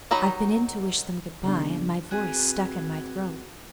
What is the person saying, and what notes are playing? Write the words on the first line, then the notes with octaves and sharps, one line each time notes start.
I've been in to wish them good-bye, and my voice stuck in my throat.
D#3 F#3 D#4 B5
C#3 G3 A#3 B3 D4
C4 F#4 G#4 B4 F#6 G#6